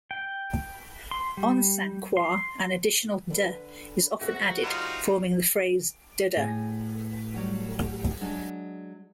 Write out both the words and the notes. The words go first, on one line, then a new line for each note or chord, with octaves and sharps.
On Saint Croix, an additional "deh" is often added, forming the phrase "deh-deh".
G5
C6
G3
C6
D3 B4
D2 F#4 G#4 E5
G3 D#4 F4
A2 G#4
F#3 G3 F#4
F#3 G#3 D4